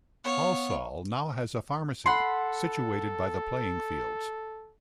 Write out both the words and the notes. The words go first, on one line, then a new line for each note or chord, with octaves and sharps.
Halsall now has a pharmacy, situated by the playing fields.
B3 C#5 F5
A4 F#5 B5 C6